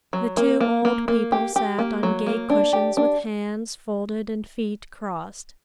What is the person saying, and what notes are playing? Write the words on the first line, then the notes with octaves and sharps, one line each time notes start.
The two old people sat on gay cushions with hands folded and feet crossed.
F#3
A#3
A#3
A#3
A#3
G4
G4
A#3
F#3
A#3
D4
G4
D4